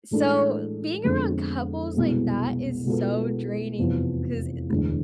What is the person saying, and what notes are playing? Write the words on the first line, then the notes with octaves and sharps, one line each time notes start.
so, being around couples like that is so draining, 'cause eh,
A2 E3 G#3 D4 A4
F2 D3 G#3 B3
C2 B2 G#3 B3
B2 G#3 B3 F4 A4
F1 E2 C3 F3 B3
E1 D2 D3 G#3